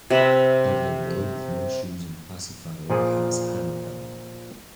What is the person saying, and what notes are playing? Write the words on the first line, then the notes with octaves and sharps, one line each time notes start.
Toddler boy with no shoes and pacifier has handheld.
C3 B4 E5 B5
A#2 F3 G#4